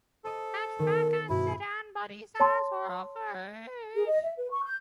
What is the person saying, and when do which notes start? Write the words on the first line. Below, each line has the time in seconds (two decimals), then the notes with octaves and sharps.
Hatchback and sedan body styles were offered.
0.24 A4 C5 D#5 A5
0.79 D#3 B3 A#4
1.29 G2 B2 E4 F#4
2.40 C#5 A5 C6
3.94 G#4
4.07 D#5
4.22 E5
4.37 B4
4.52 C#6
4.64 G6